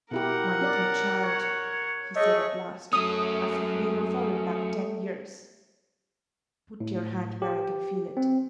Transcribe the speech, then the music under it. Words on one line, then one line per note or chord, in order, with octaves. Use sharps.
"My little child," he said at last, as if we were fallen back ten years, "put your hand where I can feel it."
B2 E4 G4 A#4 F#5
C#4 D5
C#5
A3 G#4 C#5 D#5
F#3 A3 C#4 D#6
A2
G4
C4